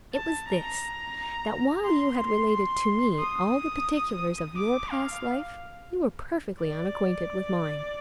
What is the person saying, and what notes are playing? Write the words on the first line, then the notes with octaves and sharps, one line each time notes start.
"It was this,--that while you had related to me all the particulars of your past life, you were perfectly unacquainted with mine."
A5
A#5
C6
C6
D#6
D6
F5
D5